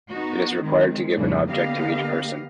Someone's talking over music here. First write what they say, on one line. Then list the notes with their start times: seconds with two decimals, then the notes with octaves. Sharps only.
It is required to give an object to each person.
0.11 B3 D#4 F#4
0.62 D#3 G#3 C4
1.15 F2 A2 C#3 E3 G3 D4
1.50 D3 A#3 B3 G4 D#5 F5